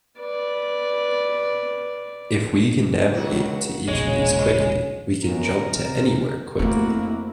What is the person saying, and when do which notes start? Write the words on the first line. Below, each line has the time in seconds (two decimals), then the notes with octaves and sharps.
If we can navigate to each of these quickly, we can jump to anywhere quickly.
0.20 B4 D5
3.14 C#2 D#3 F#4
3.88 E1 A#1 C#3 G#3 C#5
5.26 F#2 B3 A#4
5.79 C3
6.59 F2 A3 A#3 C4 E4 F#4